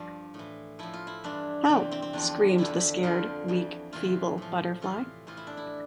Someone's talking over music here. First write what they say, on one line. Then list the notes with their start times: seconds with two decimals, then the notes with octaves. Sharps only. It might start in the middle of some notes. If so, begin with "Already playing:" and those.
Help! —screamed the scared weak, feeble butterfly.
Already playing: G2 F3 D4
0.34 A2 E3
0.79 A2 F3 E4
0.93 F4
1.07 E4
1.24 G2 E3 D4
1.69 E2 C3 E3 C4
1.91 C4
2.02 C4
2.13 E2 D3 F3 D4
2.58 E2 D3 F3 E4
3.03 F2 D3 F3 F4
3.48 F2 E3
3.93 E2 C3 E3 F4
4.38 A2 F3
4.82 A2 E3 F4
5.27 A2 E3 F4
5.37 E4
5.47 D4
5.57 E4